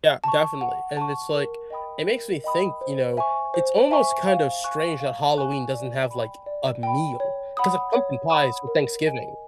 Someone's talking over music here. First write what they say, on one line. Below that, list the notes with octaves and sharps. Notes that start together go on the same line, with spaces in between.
Yeah, definitely, and it's, like it makes me think, you know it's almost kind of strange that Halloween doesn't have, like, a meal, 'cause, uh, pumpkin pie's for Thanksgiving.
A5 C#6
F#5
A5 C#6
A#4
D#5 G5 B5 D#6
A#4
D#5 G5 B5 D#6
C5
E5 G#5 C#6
C5
E5 G#5 C#6
F5
G#5 C#6 F#6
F5
G#5 C#6 F#6
D5
G5 B5
D5
G5 B5
C#5
F#5 B5 D#6
C#5
F#5 B5 D#6
A#4
D#5 G#5